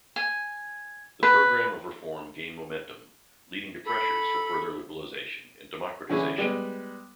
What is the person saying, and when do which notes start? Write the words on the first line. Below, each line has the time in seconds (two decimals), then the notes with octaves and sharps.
The program of reform gained momentum, leading to pressures for further liberalization and democratization.
0.16 G#5
1.23 B4
3.86 A4 B5
6.10 D3 E3 C#4 E4 G#4
6.38 G3 G#3 B3